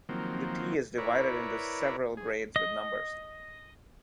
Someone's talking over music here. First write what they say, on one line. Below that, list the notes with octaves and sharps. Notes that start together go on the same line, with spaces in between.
The tea is divided into several grades with numbers.
D#3 F3 F#3 A#3 C4
E4 A#4 B4 C#5 D5
G#4
D#5